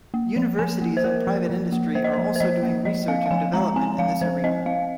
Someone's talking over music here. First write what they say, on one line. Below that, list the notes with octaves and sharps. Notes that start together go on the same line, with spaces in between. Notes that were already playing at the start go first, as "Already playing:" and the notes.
Universities and private industry are also doing research and development in this arena.
A#3
F3
F3 G#5
A#3
C5
A#3 A#4
F3
F3
A#3
A#3 C5
D#5
C5
F3
C5
F3 D#5
A#3
F3 D#5
C4 F5
F5
F3 G#5
G#3 A#5
C4 G#5
F3 F5
F3 C5
C4 D#5
C4 F5